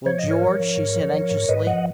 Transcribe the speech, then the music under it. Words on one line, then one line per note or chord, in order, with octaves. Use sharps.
"Well, George?" she said, anxiously.
F3 C#5
D#5
G#2
A#4 C#5
F3
F3
G#2
F3
F3
G#2
G#2 B4 D#5
F3 D#5 F#5